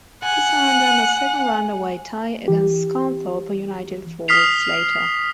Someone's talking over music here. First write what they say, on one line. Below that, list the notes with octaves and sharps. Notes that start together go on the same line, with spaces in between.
This earned them a second-round away tie against Scunthorpe United four weeks later.
F#5 G#5
E3 G4
D#6 F6 B6 C7 F7